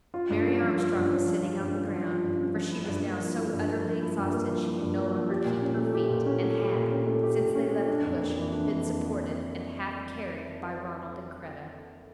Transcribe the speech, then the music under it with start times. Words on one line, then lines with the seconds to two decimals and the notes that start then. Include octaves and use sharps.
Mary Armstrong was sitting on the ground, for she was now so utterly exhausted she could no longer keep her feet, and had, since they left the bush, been supported and half carried by Ronald and Kreta.
0.14 F4
0.30 G2
0.46 C#4
0.62 F3
0.78 F4
0.94 G2
1.11 C#4
1.26 F3
1.43 F4
1.60 G2
1.75 C#4
1.91 F3
2.07 F4
2.24 G2
2.40 C#4
2.56 F3
2.71 E4
2.88 G2
3.04 A#3
3.20 F3
3.36 E4
3.52 G2
3.69 A#3
3.85 F3
4.01 E4
4.18 G2
4.33 A#3
4.49 F3
4.66 E4
4.82 G2
4.98 A#3
5.14 F3
5.30 G4
5.46 A#2
5.62 C#4
5.78 A3
5.94 G4
6.10 A#2
6.26 C#4
6.43 A3
6.59 G4
6.75 A#2
6.91 C#4
7.07 A3
7.23 G4
7.40 A#2
7.55 C#4
7.71 A3
7.87 D4
8.04 F2
8.20 A#3
8.36 E3
8.52 D4
8.68 F2
8.85 A#3